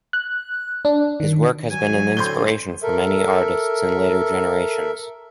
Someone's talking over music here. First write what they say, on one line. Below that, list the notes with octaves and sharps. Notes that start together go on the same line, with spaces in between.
His work has been an inspiration for many artists in later generations.
F#6
D4
D#3
F#3 G#5
D2 A2 C4 C6 G6 G7
A4 A#4 E5